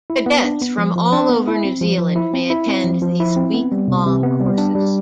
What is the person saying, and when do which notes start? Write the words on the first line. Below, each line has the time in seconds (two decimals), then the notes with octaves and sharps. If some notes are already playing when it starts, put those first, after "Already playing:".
Cadets from all over New Zealand may attend these week long courses.
0.10 E4
0.26 B3
0.44 D4
0.61 B3
0.78 F3
0.96 F3
1.12 D4
1.30 B3
1.47 E4
1.65 C4
1.81 F3
1.98 F3
2.16 E4
2.33 C4
2.50 E4
2.68 C4
2.84 F3
3.02 F3
3.20 E4
3.36 C4
3.54 B3
3.72 G3
3.88 C3
4.06 C3
4.23 B3
4.40 G3
4.58 D4
4.75 G3